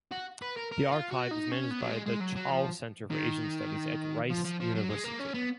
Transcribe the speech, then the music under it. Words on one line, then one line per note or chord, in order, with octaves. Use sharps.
The Archive is managed by the Chao Center for Asian Studies at Rice University.
F#4
B4
A#4
A#4
F4
F#4
D#4
C#4
B3
F#3
G#3
G#3
F#3
F#3
F3
D#3
F3
F3
F3
F#3
G#3
A#3
C#4
B3